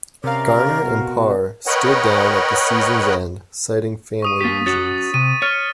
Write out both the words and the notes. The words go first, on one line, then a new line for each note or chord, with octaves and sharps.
Garner and Parr stood down at the season's end, citing family reasons.
C3 C#4 A#4 D5 F5
B2 F#4
A#4 B4 C#5 D#5 F#5 G5
C#6 D#6 D#7
A#3 G4 A6 B6
C#4 F#4 C#5 A6
C3 D#7
C#5 F6 A6 D#7